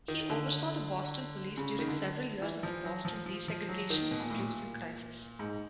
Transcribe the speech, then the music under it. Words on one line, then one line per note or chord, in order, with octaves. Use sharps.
He oversaw the Boston police during several years of the Boston desegregation busing crisis.
D#3
D3
C#3
D#3
D3
E3
F3
F#3
F3
F3
F3
F#3
D#3
B2
A#2
A2
A#2
G#2